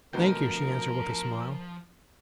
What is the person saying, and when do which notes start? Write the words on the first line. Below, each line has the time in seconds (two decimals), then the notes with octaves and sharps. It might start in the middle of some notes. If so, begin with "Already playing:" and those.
"Thank you," she answered, with a smile.
0.13 D2 B2 F3 A#4 G5